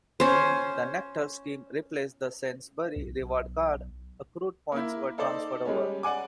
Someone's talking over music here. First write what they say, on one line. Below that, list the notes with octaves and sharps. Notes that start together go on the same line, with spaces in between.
The Nectar scheme replaced the Sainsbury's Reward Card; accrued points were transferred over.
C#4 C5
B1
A#3 E4
D#4 A4 C5 D5
G3 G#3 C#4
D5 F#5 G#5 D6